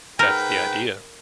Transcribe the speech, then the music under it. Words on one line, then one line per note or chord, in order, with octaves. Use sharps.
That's the idea.
G#2 A#4 B4 G5